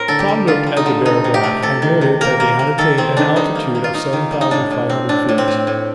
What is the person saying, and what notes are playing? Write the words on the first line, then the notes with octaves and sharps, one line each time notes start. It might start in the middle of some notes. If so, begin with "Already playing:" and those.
Tom looked at the barograph, and noted that they had attained an altitude of seven thousand five hundred feet.
Already playing: A2 C4 A#4 C5
D3 A4
G4
G3
D3 F4
G3
D#4
D3
C3 D#4
C3
G4
A3
C3 A4
D#3
C3
A#3 A#4
A#3
A#3
D#3 A4
D#3 C4
D#3 D4
G3 D#4
A#3
A#3
F4
A#3 D#4
D#3
G3
D#4
A2 D4
A2
C4
A2 D4
A2
C4
A2
A2